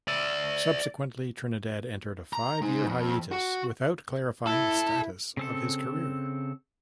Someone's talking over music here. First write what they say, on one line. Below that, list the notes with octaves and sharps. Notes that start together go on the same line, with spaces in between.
Subsequently, Trinidad entered a five-year hiatus without clarifying the status of his career.
D5 E5
A#5
G#3 D#4
F2
F#4
E4 A4
C#3 C4 A4